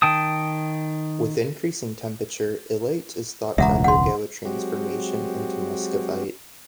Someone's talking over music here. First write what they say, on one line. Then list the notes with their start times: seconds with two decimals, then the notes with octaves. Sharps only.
With increasing temperature, illite is thought to undergo a transformation into muscovite.
0.02 D#3 G5 A5 D#6
3.58 E1 C#2 E5 F#5 A#5
3.84 F#5 C6
4.45 F#3 G#3 C4 F#4 G4